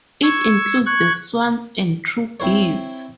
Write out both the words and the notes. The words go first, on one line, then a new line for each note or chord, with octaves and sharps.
It includes the swans and true geese.
C#6 E6 G#6
C#6 F#6 G#6
C4 E4 C5 C#5